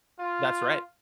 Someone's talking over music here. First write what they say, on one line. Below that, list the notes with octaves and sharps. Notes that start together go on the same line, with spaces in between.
That's right.
F4